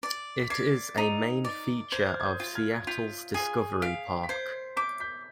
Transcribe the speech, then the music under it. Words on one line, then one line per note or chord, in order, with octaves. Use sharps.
It is a main feature of Seattle's Discovery Park.
D5
B6
D5 G#6 C7
D#4
D5
C5 G#6
G6
F6 G#6
G#6
D#6 G6
F4
F6 G#6
G#6
F4 G6 B6
G#4 G#6 C7
F5 B6 D7
B6
C5 G#6 C7
D6 G6 B6
G6 B6